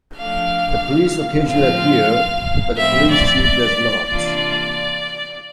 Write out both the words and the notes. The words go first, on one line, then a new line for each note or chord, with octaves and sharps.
The police occasionally appear, but the police chief does not.
F3 A3 D4 F5
A2 F3 C4 F4 F5
A2 F3 C4 E4 E5
D5
D5
C3 E3 A#3 D4 F4 D5